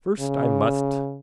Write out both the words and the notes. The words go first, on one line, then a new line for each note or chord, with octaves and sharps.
First I must.
C#3